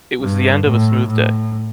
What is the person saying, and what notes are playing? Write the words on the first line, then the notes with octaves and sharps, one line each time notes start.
It was the end of a smooth day.
G2
A2
A2